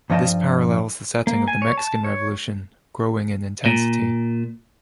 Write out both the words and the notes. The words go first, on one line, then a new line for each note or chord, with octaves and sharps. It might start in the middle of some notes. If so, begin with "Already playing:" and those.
This parallels the setting of the Mexican Revolution growing in intensity.
G2 F3 C#4 D#5 G5 A5
A#3
G#5
C#5
A5
C#5
A#2